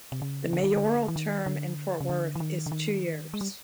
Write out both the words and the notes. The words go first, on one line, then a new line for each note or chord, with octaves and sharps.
The mayoral term in Fort Worth is two years.
C3
C#3
D3
D#3
D3
E3
D#3
D3
C#3
D3
E3
D#3
D3
D#3
G#3
G3